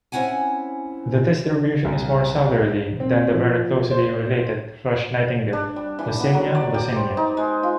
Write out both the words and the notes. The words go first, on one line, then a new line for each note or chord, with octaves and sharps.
The distribution is more southerly than the very closely related thrush nightingale "Luscinia luscinia".
C4 C#4 E4 F#5 G#5
C2
C4
F3
C5
D4
G3
E3
B3
F#3
D5
G4
C5
D#4
G#3
F4